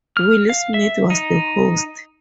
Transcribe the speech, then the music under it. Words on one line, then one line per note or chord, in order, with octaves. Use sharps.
Will Smith was the host.
F6
F5
E5
D#4